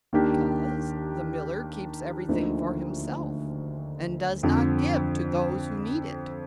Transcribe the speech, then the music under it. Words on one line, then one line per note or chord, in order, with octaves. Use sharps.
'Because the miller keeps everything for himself, and does not give to those who need it.'
D#2 D#3 A#3 D4 G4
D2 D3 F3 A#3 D#4
F2 D3 F3